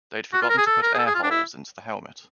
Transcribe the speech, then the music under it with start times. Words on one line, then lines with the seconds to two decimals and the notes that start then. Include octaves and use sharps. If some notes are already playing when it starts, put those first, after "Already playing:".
They'd forgotten to put air holes into the helmet.
0.33 F#4
0.42 F4
0.50 A#4
0.58 G#4
0.67 A4
0.82 A#4
0.94 G#4
0.99 A4
1.06 G#4
1.15 F4
1.23 D4
1.31 E4